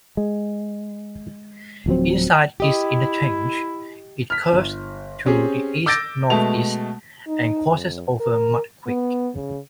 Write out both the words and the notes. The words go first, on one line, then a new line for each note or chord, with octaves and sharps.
Inside this interchange, it curves to the east-northeast and crosses over Mud Creek.
G#3
D1 F3 F#3 C4
E4 G4 D#5
F6 B6
G1
C4 C#4 G4 G#4
D6 E6 G6 A6 A#6 D7
B2 G#3 A3 A5 F7
D#4
F2
A#4
B3
C#3